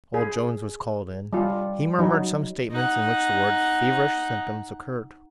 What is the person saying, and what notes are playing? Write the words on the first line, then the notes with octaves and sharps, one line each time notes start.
Old Jones was called in; he murmured some statements in which the words "feverish symptoms" occurred.
G#4
G3 F4
F#3 D#4
D#4 F#5